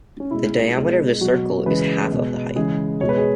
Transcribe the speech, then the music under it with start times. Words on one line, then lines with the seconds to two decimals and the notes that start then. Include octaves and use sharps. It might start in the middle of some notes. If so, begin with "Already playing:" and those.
The diameter of the circle is half of the height.
0.20 C#4
0.31 B2 G#3 E4
0.76 B2 G#3
1.21 B2 F#3 F#4
1.66 C#3 E3 G#3 B4
2.11 B2 G#3
2.56 C#3 E3 G#3 G#4
3.01 B2 G#3 C#5
3.09 B4
3.18 G#4